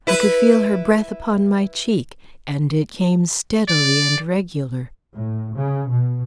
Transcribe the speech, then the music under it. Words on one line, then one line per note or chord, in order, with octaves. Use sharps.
I could feel her breath upon my cheek and it came steadily and regular.
E4 B4
D5
A2
C#3
B2